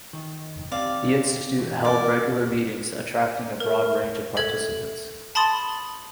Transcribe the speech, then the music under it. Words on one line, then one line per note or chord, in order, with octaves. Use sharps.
The institute held regular meetings attracting a broad range of participants.
D#3
C4 G4 D5 F5
B2 E3 B3
A#4 D5
A#4
A4 E5 G#6
A5 B5 C6 D#6 A6